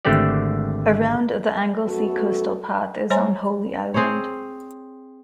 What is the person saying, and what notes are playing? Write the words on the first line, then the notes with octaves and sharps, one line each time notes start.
Around of the Anglesey Coastal Path is on Holy Island.
G#1 D3 A3 C4 G4 D5
F#2 A3 B3 F#4 A4
G3 C5 C#5 G#5 A#5 C6
C4 G#4 C5 C#5